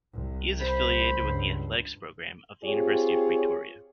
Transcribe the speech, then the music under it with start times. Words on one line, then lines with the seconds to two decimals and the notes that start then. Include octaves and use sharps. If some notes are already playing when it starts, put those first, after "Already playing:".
He is affiliated with the athletics program of the University of Pretoria.
0.14 C2
0.61 C5 B5
1.20 C#2 G2
2.64 C4 F4 G4 G#4 C#5